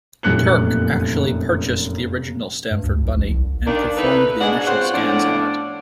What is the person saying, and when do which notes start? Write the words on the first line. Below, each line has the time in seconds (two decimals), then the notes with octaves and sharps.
Turk actually purchased the original Stanford Bunny, and performed the initial scans on it.
0.23 F1 F#2 A#2 F#6 C#7 F#7
2.71 G2
2.84 D2
3.03 B1
3.16 A1
3.29 C2
3.67 D#2 D#3 A#3 D4
3.97 D#4 E4 A4 B4
4.41 G#2 B2 G#3 D4 F#4 F#5
4.67 C4 F4 C5 C#5 F#5
4.94 A2 F3 B3 C#4 D4 F#5